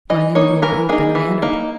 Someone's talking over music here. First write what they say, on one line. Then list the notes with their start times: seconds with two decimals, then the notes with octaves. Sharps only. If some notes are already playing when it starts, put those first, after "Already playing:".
Finding the door open, I entered.
0.10 E3 D#5
0.35 A#3 D#4 C#5
0.62 E3 A#4
0.89 A#3 D#4 G#4
1.15 E3
1.42 A#3 D#4